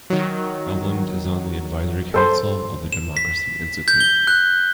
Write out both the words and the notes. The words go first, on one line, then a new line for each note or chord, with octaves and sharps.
Eland is on the Advisory Council of the Democracy Institute.
D#3 F#3
A4 C5 C6
E7
B6
G6
G7
F#6